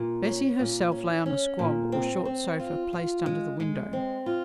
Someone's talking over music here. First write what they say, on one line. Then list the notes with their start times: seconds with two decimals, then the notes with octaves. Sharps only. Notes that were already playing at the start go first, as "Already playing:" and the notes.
Bessy herself lay on a squab, or short sofa, placed under the window.
Already playing: A#2
0.25 C#4
0.59 A#2
0.92 C#4
1.26 C#4
1.59 A#2
1.92 C4
2.25 C4
2.60 F4
2.93 F4
3.26 G#3
3.60 G#3
3.93 C4
4.26 F4